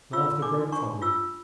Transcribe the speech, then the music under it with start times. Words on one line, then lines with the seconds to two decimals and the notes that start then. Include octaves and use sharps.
Laughter broke from them.
0.13 F4 E6
0.42 D4 D6
0.72 D4 C#6
1.02 F4 E6